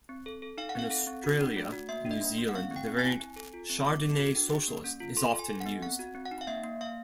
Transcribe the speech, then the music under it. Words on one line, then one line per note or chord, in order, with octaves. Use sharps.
In Australia and New Zealand, the variant "Chardonnay socialist" is often used.
C4
A4
A4
D#4 F5
F#5
C4 F5
A4 F#5
C4
F#4
D4
A3
F#4
A#3 E5
D4
D#5
A#3
A#3
F#5
C4 F5
C4 G5
C4
G#5
E4
C4
A4
F4
C4
B3 D6
A4
F#4
D4
G#4
A#3
C#4
F4
A4 C6
A4
G#5
A4
F#5
B3
C4 F#5
F#4
C4
F#5
D#4
F5
A#3 E5
A#3
A#3 F5